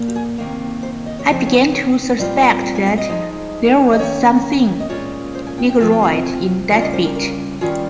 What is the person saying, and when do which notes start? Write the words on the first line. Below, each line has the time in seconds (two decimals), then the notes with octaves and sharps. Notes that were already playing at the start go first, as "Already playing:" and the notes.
I began to suspect that there was something Negroid in that beat.
Already playing: A#2 A#3
0.08 G4
0.15 G#4
0.38 C3 D#3 A#3
0.83 C5
1.06 D#5
1.19 C#5
1.29 C#3 F3 C4 D#4 C5
1.47 C#5
1.73 C#5
2.18 A#2 G3 C4 F4 D#5
2.37 D#5
2.42 F5
2.64 G5
2.75 G#5
2.87 F5
2.98 D#5
3.09 F3 G#3 D#4
3.93 D#5
3.99 D#3 A#3 C#4 C#5
4.80 D#5
4.89 A#2 G#3 C#4 F4 C#5
5.35 C5
5.47 G#5
5.58 G5
5.69 G5
5.79 C3 F3 C4 F4 G#5
5.92 G5
6.03 F5
6.14 D#5
6.25 G#5
6.70 C#3 G3 C#4 F4 F5
6.82 D#5
6.93 C5
7.04 A#4
7.15 A#4
7.61 D#3 G3 C#4 F4 G#4